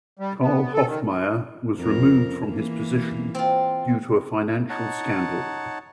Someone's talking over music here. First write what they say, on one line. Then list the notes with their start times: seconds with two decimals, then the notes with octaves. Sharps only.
Karl Hofmaier was removed from his position due to a financial scandal.
0.19 G3
0.40 B3
0.74 A4
0.86 D#3
1.77 F2 A#4
2.44 E3 A#3
3.35 C4 F4
4.70 D#4 C#5 F#5 A5